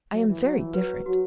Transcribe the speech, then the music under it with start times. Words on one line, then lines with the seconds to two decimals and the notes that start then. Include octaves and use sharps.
I am very different!
0.11 F#3 E5
0.28 E3
0.43 F#3 C#5
0.59 E3
0.74 F#3 B4
1.06 F#3 F#4